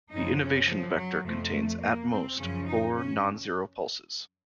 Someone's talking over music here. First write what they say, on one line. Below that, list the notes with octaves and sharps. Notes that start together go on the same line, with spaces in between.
The innovation vector contains, at most, four non-zero pulses.
F#2 C#3 F3 D#4
C#4
F3
F#3
F2 C3 F3 A3
A3
A#3
C4
F#2 C#3 F3 C#4
D#4
C#4